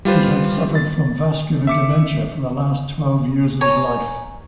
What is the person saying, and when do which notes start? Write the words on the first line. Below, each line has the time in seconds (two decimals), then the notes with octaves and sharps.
He had suffered from vascular dementia for the last twelve years of his life.
0.05 G3 F4 B4 C5
0.75 A6
1.67 E5 D6 C#7
3.61 C#5 G#5 A#5